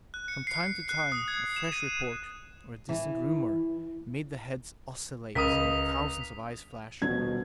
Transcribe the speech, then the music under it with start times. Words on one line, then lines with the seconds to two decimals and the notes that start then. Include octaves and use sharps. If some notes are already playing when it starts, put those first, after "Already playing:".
From time to time a fresh report, or a distant rumor, made the heads oscillate and thousands of eyes flash.
0.14 F#6
0.28 C#7
0.47 C7
0.89 F#6
1.12 D#6
1.28 G#6
1.56 E7
1.72 D#7
2.89 E3
5.35 C#2 A#4 D#6 B6 D#7
7.02 D#1 B2 G#6